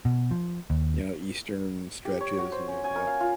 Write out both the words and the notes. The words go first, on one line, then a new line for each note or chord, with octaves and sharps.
you know, eastern stretches, and whatnot.
B2
F3
D#2
G4
C#5
F#4
C5
C#4
G#5
A#4
F5
F4